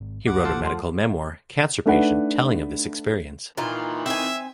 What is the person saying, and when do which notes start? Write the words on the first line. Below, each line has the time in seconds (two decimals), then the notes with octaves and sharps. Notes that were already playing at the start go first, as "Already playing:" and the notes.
He wrote a medical memoir, Cancer Patient, telling of this experience.
0.01 G#1
0.27 C#2 F#5 D6
0.45 A1 D2 F3 F4 A4
0.64 E2 A3 F#5 C6
1.86 A3 D4 D#4 B4 F#5
3.57 A#2 D#3 E3 F4
4.06 C4 E5 G#5